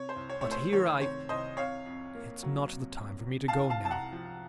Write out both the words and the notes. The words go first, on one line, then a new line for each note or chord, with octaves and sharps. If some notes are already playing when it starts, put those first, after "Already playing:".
But here I ... it's not the time for me to go now....
Already playing: C3 C#5
C5
C2
C#5
A3 C#5
C5
D#3 C#5
C3 C#5
C2 C5 D#5
C3 C#5 F5
F2
A#3
F#3
C3
F2
C3
F5 A5
C2
F5 A5
C2 A5
F#5 A#5
F3